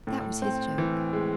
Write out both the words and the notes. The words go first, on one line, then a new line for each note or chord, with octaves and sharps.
'That was his joke.
A2
C4
E3
G#3